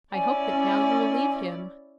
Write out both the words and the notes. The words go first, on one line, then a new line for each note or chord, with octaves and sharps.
I hope that now you will leave him.
C#4 E4 D5 G#5